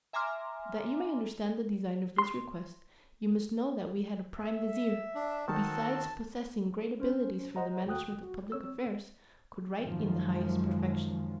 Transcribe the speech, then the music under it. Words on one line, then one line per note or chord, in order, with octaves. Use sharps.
That you may understand the design of this request, you must know that we had a prime vizier, who besides possessing great abilities for the management of public affairs could write in the highest perfection.
E5 G#5 A#5 C6 D6 F6
C6
E5
D4
D#3 C4 F#4 A4 A5
C#4 C5
C5 D#5 F#5 A#5
D#2 F#4 G5 D#6 F#6
F#4
C4 C#5 E6
F#2 D#3 F3 G#3